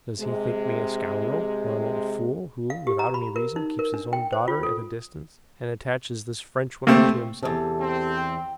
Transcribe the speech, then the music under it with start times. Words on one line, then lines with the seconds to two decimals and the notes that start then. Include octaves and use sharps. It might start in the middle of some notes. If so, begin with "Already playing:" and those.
Does he think me a scoundrel, or an old fool who, without any reason, keeps his own daughter at a distance and attaches this Frenchwoman to himself?
0.19 C3 G#3
2.70 F5
2.87 G4
2.99 A#5
3.14 B5
3.36 A#4
3.56 D#4
3.79 A#4
3.94 D4
4.13 G5
4.33 C5
4.48 F4
4.63 A4
6.87 C3 A3 A#3 C4
7.43 E2 C3 G4 A4 A5
7.80 C4
8.17 G5